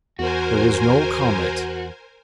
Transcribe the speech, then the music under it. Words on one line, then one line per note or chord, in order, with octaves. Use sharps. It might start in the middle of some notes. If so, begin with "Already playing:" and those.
There was no comment.
E2 F#4 A#4 C5 G#5